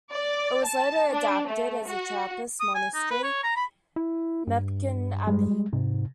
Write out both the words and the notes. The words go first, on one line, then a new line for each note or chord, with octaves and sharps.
It was later adapted as a Trappist monastery, Mepkin Abbey.
D5
A5
D4
A3
F#4
D#6
G#5
D#4
B4
C#5
A#5
B5
E4
G2
G3 G#3
G#2 C3